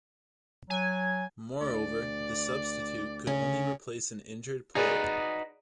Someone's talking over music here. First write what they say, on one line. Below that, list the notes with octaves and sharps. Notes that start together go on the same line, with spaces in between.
Moreover, the substitute could only replace an injured player.
F#3 G#5
D2 D5
C#3 C#4
D#4 F#4 G#4 B4 D5